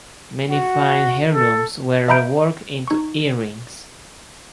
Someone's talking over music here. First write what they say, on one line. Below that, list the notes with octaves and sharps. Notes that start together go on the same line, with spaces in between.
Many fine heirlooms were reworked into earrings.
F#4
A4
D#5 E5 A#5 B5 G6 D7
D#4 C#6